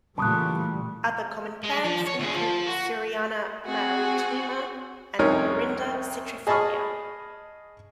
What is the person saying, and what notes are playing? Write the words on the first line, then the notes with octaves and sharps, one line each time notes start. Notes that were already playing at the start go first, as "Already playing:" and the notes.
Other common plants include "Suriana maritima" and "Morinda citrifolia".
A#2 C#3 E3 G3 A3 A5 D#6 F#6
G#3
F3
C#5
D2 G#4
F3
F#4
C4 F#4 G#4
C2 F2 C#4 D#4 A#4 C#5
G#4 D#5 A5 B5 C#6 F6